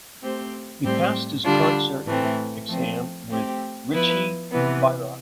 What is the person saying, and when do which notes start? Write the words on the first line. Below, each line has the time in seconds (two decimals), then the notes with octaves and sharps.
He passed his concert exam with Richie Beirach.
0.22 A3 C4 G4 C5
0.83 A2 G3 C4 G4 C5
1.44 D3 G3 D4 F4
2.06 A2 E3 A3 C4
2.68 F3 A3 C4
3.29 A3 C4 G4
3.91 F3 B3 E4 B4
4.51 C3 E3 B3